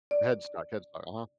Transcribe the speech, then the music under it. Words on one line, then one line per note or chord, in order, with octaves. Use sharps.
Headstock Headstock, uh-huh.
D5